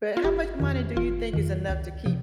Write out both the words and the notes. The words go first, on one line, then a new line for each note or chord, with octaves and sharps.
But how much money do you think is enough to keep,
F4
G1 G4
F2 D#3
G1 F4
F2 D#3
C#2
C3 F3